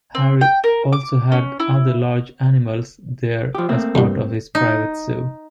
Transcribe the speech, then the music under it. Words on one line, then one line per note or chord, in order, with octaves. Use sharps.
Harry also had other large animals there as part of his private zoo.
C4
G5
A#4
D6
C#4
E4
F3 G4
A3 A#3 C4
E2 G2
D#4